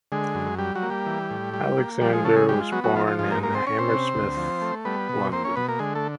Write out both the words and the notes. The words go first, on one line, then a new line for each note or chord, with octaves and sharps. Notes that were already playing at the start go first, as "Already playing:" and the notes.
Alexander was born in Hammersmith, London.
D3 G#3 G#4
F#2
G3 G4
F#3 F#4
A#3
G3 G4
E3
A2
G3
A#3
F3 G3 G4
G#3 G#4
C#3 A3 A4
G#3 G#4
G3 G#3 G4
F4
F#3 B3 F#4
F#3 F#4
F3 F4
F4
G#2 F4
A#3 A#4
A#3 A#4
C4 C5
C#4 C#5
C4 C5
C3
D2
F3
A3
G3 B3 B4
B2
A#3 C4 C5
C#4 C#5
B2 B3 B4
A#3 A#4
D3 G#3 G#4
A3 A4